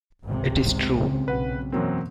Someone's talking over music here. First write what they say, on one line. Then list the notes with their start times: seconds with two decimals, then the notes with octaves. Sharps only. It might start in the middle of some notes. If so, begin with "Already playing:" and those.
It is true.
0.25 G#1 C#2 C3
0.99 C#3 C4
1.28 B1 B4 F#5
1.72 E1 F#2 F#3 A#3 C4